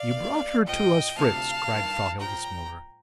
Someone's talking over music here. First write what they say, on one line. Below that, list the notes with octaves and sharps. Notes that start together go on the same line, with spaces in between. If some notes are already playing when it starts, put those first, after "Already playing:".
"You brought her to us, Fritz," cried Frau Hildesmuller.
Already playing: D5 F5
D#2 D#3
A2 F3 D#5 G5
D2 C3 F3 F5 A5
G2 D#3
A2 F3 G5 A#5